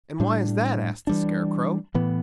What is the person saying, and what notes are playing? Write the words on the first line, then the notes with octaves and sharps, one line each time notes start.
"And why is that?" asked the Scarecrow.
A2 G3 D4
E3 G3 D4
A2 E3 B3